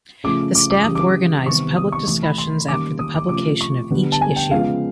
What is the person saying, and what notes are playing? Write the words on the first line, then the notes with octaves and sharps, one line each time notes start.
The staff organized public discussions after the publication of each issue.
C#3 F3 A3 D6
D6
D6
C#3 E3 G3 D#6
D6
C3 D#3 G3 B3 C#6
D#6
C#6
C3 E3 A3 C#6
B5
C6
D#3 G3 A#3 C#4 D6
D#6
D6
C3 F3 A3 C#4 D6
C#6
D3 G3 B3
A5
G#5
G5
C#3 F3 G#3 B3 F5